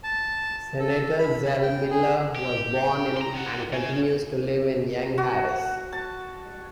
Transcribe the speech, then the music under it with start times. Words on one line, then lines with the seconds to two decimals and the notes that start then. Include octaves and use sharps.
Senator Zell Miller was born in and continues to live in Young Harris.
0.03 A5
0.80 A4
1.19 B5
1.62 G5
1.91 G#4
2.36 G4
3.17 A#5 C6
3.34 D#3 F#5
3.73 C#4 G#4
5.18 F#4
5.92 A5